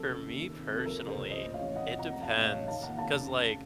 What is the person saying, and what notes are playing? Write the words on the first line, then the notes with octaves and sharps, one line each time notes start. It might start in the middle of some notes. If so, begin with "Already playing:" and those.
for me personally, it depends. 'Cause, like,
Already playing: C2 F3 A4
C#3
D#2
D#3
C3
C2
A4
F3 A#4
C#3
A4 C5
C#2
F3 C5 D#5
A2
C#5 F5
A1
C3 D#5 F#5
F2
F#5 A#5
F1
F3 F5 A5
A2 D#5
C#5 F5
A1
D#3 F5 A5
D#2 F#5 A#5
F1 F5 A5
C#3
F2